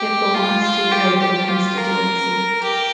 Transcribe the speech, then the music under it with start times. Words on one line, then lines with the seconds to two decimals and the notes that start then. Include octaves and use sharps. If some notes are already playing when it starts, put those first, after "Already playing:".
It belongs to Aiwo Constituency.
Already playing: G4
0.34 F4
0.63 F4
0.92 G4
1.20 G4
1.48 F4
1.77 A#4
2.63 G4